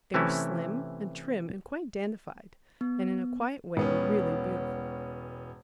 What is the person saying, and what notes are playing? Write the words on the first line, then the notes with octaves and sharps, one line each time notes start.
They were slim and trim and quite dandified, and in a quiet way were really beautiful.
C3 E3 A3 C#4 E4
B3
E1 B3 C#4